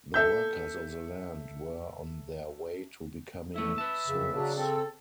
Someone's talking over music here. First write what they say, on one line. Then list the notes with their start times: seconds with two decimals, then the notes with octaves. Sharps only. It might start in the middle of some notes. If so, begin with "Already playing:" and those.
The workers of the land were on their way to becoming serfs.
0.14 A4 E5 G6
3.56 E2 A3 E4 E5
3.78 B4 A5
4.07 F2 C#3
4.34 C#3 F#3 D4
4.56 C4 A4